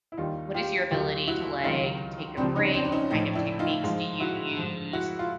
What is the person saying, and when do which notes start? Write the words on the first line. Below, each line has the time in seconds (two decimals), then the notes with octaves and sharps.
what is your ability to, like, take a break? What kind of techniques do you use?
0.12 E4
0.17 D#2 D#3 G3 D#4 F4
0.54 F4 G4
0.91 D2 D3 F#3 F4 G4
1.28 E4 F#4
1.64 C#2 C3 D#3 F#3 D#4 F4
2.37 C#2 C3 F3 C4 D4
2.56 C#4 D#4
2.74 C4 D4
2.85 D4
2.92 C#4 D#4
3.11 A2 F3 C#4 D#4
3.35 D4 E4
3.59 D#4 F4
3.83 G#2 F3 D#4 F4
4.20 E4 F#4
4.57 G#2 F3
4.93 E4 F#4
5.19 F4